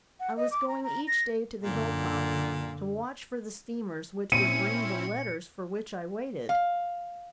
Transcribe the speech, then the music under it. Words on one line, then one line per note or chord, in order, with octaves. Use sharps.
I was going each day to the hill-top to watch for the steamers which would bring the letters for which I waited.
F#5
D#5
D6
A#5
A#5
A#6
F#2 A#2 D3
A#2 C4 C#4 E4 C#7 D#7
F5